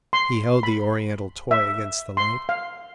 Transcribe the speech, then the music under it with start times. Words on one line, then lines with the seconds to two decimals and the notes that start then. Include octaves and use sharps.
He held the oriental toy against the light.
0.13 C6
0.63 B5
1.51 E5
2.17 C6
2.49 F5